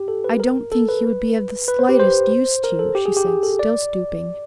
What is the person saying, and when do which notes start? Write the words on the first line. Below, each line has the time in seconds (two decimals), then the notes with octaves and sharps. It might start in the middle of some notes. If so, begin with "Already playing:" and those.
"I don't think he would be of the slightest use to you," she said, still stooping.
Already playing: G4
0.08 A4
0.24 B4
0.40 A#4
0.72 A4
0.89 B4
1.68 B4
1.79 C5
1.89 G4
2.00 C5
2.64 A#4
2.79 A4
2.95 G4
3.06 G#4
3.17 G4
3.27 G#4
3.43 A4
3.59 D5